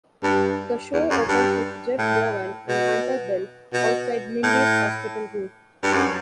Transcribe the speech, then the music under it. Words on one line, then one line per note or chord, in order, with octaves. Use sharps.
The show opens with Jeff Bowen and Hunter Bell outside Mindy's hospital room.
G2
E2
F#2
G2
A2
B2
B2
A2
G2
F#2